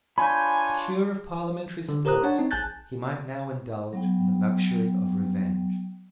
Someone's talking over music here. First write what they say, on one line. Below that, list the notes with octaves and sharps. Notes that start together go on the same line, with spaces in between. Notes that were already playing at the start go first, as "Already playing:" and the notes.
Secure of parliamentary support, he might now indulge in the luxury of revenge.
D4 F4 C#5 G#5 B5 G6
D3
G4 A#4 C5 A#5 D#6 F#6
D4 C#5 F#5 A5
C4 D#4
A#1 G#5 A5 F#6 G6 A6
F#3 B3 G5